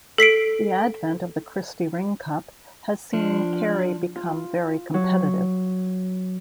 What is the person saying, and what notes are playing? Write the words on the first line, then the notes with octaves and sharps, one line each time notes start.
The advent of the Christy Ring Cup has seen Kerry become very competitive.
A4 B6 C7 D7
F3 D4
F4
F#3